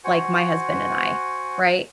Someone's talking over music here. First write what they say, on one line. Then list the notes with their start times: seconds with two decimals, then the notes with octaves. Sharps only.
like my husband and I, right?
0.04 F#4 C5 F#5 G#5